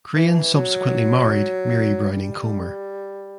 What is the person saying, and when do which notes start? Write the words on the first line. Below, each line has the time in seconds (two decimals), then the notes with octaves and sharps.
Crane subsequently married Mary Browning Comer.
0.15 E3
0.54 F#3
2.12 G3